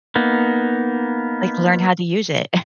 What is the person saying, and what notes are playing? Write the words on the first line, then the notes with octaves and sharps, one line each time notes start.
Like learn how to use it.
A#3 B3 D#4